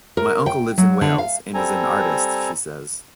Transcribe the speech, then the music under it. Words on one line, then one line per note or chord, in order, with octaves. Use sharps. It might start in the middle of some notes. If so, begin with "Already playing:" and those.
"My uncle lives in Wales and is an artist", she says.
A#4
G5
F#3
D3
F5
G3 C4 A4 G#5 A#5